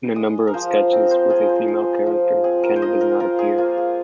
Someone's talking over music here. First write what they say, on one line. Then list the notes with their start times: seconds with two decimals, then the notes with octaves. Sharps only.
In a number of sketches with a female character, Kenney does not appear.
0.16 G#3 D#5
0.47 A#4
0.54 F3 C5
0.92 C4
1.11 C5
1.30 F4 G#4
1.49 C5
1.68 G#3
2.06 F3 F4
2.44 C4 G#4
2.63 A#4
2.76 C5
2.82 F4 D#5
3.01 A#4
3.20 F4 A#4
3.39 G#4
3.58 A#3 F4
3.77 G#4